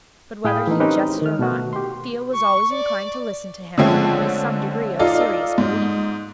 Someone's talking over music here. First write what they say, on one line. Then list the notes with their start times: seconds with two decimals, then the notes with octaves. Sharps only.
But whether he jested or not, Theo was always inclined to listen to him with some degree of serious belief.
0.45 A2 G#4 F5 G5 B5 D#6
0.67 E3 A3 D#4
0.80 C4 C#4 D#4 G4 A#4 B4
1.22 D#3 F6
1.39 B2 A3 F#4
1.73 G4 C6
2.33 C#6
2.70 D5
3.78 D3 F3 G#3 A3 C4 C#4
4.99 D#4 F4 A4 D5 D#5
5.58 G#2